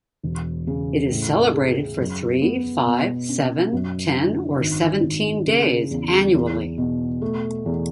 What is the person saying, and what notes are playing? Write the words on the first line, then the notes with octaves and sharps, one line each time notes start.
It is celebrated for three, five, seven, ten or seventeen days annually.
E1
C#3
A2
G#4
F#2
B3
B2
C#4
F#2
D3
G#1
G#1
C#3
E2
E2
B2
A3
E2